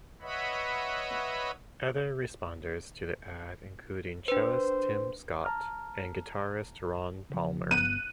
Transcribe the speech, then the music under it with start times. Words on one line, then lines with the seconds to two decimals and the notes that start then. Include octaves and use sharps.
Other responders to the ad included cellist Tim Scott and guitarist Ron Palmer.
0.22 B4 C#5 D#5 E5 F#5 B5
4.28 D4 B4 C5
5.45 A5 A#5 F6
7.30 C#3 F3
7.71 G1 B3 F#6 D#7